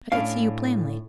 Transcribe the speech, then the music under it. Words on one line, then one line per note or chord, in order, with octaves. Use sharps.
I could see you plainly.
A2 C#4 D4 F5